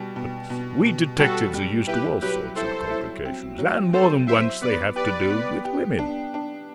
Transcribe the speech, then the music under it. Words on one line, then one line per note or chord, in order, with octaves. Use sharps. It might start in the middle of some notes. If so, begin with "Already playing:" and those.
But we detectives are used to all sorts of complications, and, more than once, they have to do with women.
Already playing: B2 G3
B2
B2
B2
G3 F#4 A4
G3
E4 G4 B4
F#3 G4 B4
E4 A4 C5
E4
C4
F#3
F#3 A4 C5
E4 C5 E5
B3 B4 D5
G4 B4 D5
B3
G4
D4
D4